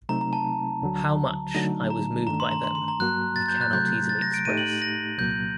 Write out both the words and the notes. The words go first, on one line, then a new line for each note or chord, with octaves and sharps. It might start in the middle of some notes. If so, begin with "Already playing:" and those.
How much I was moved by them, I cannot easily express.
C3 F#3 A3 C4 D#4 A#5
A#5
A5
D2 D3 F#3
D3 F#3 A3 D#4
A#5
G2 D#3 A3 D4 A#5
C6
A#5
C6
C6
A#5
G2 F#3 A#3 F#4 F#6
A6
G6
F#6
C3 F#3 A3 G6
A6
A#6
D7
A2 A3 D#4 G4 D#7
F#7
F#7
A#6
C2 A#2 F#3 A#3 G6